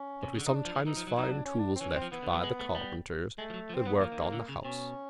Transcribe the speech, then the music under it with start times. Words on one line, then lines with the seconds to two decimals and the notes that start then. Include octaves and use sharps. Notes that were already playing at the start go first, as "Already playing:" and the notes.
But we sometimes find tools left by the carpenters that worked on the house.
Already playing: C#4
0.23 C3
0.35 C#3
0.39 D3
0.47 D#4
0.55 D4
0.65 F3
0.75 E3
0.86 E3 D#4
0.97 F3
1.07 F#3
1.18 F#3 D#4
1.31 D4
1.45 C#4
1.59 D4
1.76 C4
1.80 E3 C#4
1.91 E3
1.96 C4
2.02 F3
2.12 E3 B3
2.22 D3
2.33 F#3
2.43 G#3
2.59 A3
2.75 G3
3.38 G#3 A3
3.50 F3
3.54 F#3
3.69 F3
3.74 C4
3.85 F#3 B3
4.01 F3 A#3
4.12 D#3
4.22 D3
4.32 D3
4.49 C#3
4.65 B2 C#4